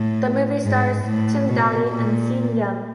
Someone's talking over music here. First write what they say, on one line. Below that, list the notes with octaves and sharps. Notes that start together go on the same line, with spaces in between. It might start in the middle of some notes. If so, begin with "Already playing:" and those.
The movie stars Tim Daly and Sean Young.
Already playing: A2
G#2
A2
B2
A#2